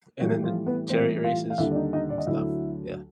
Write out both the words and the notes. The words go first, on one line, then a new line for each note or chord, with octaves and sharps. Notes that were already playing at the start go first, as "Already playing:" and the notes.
And then the chariot races and stuff, yeah.
A2 E3 F#3 G3 F#4
F3 F4
B3 B4
A2 E3 G3 C4 C5
F4 F5
F5
D#2 D3 G3 E4 E5
D5
D#4 D#5
D#4 D#5
D5
D#5
D2 D3 F#3 E4 E5